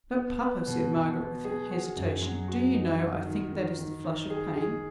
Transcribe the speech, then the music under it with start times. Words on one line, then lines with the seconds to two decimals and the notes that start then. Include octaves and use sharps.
'But, papa,' said Margaret, with hesitation, 'do you know, I think that is the flush of pain.'
0.15 B3
0.41 B4
0.67 B2
0.93 B2
1.18 B3
1.45 G#4
1.71 F#4
1.96 F#2
2.22 F#3
2.48 F#4
2.74 D#4
3.00 F#4
3.26 D#3
3.53 D#3
3.78 D#3
4.04 D#3
4.30 G#4
4.56 G#4